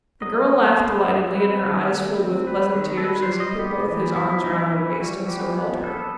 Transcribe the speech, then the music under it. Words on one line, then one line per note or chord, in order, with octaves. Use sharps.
The girl laughed delightedly, and her eyes filled with pleasant tears, as he put both his arms round her waist and so held her.
F#3 D#5
F#3
B3 C5
F#3
C4 B4
D#3
A3
C4
G3 B4
D#3
A4
G3 B4
C5
G3
D#5
B3 G4
E3
B3 E4
E4
E3 D#4
E4
E3 E4
G3 F#4
E3 G4
B3
B3 A4